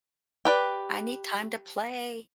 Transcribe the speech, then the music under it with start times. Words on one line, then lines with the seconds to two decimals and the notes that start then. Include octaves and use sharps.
I need time to play."
0.45 G4 B4 D5